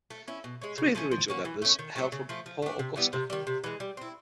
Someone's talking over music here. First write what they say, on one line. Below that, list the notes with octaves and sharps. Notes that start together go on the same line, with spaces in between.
Three of the original members hail from Port Augusta.
A3
C#4 E4
B2
G#3 C#4
C#3
F3 A3 C#4
F3
A#3 C#4 F#4
E3
A3 C#4
D#3
F#3 A3
C#3
F3 A3
F3
A3 D4
C3
E3 G3 B3
C3
D#3 G3
C3
E3 G#3
G3
C4 E4